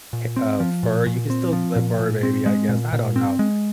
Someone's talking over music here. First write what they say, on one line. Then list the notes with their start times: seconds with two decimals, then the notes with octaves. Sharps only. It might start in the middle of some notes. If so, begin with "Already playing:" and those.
ha uh, fur, you can still a fur baby, I guess, I don't know,
0.13 A#2
0.36 C4
0.60 F3
0.83 A#2
1.07 A#2
1.30 C4
1.53 F3
1.76 A#2
1.99 A#2
2.23 C4
2.46 G#3
2.69 A#2
2.93 A#2
3.16 C4
3.39 G#3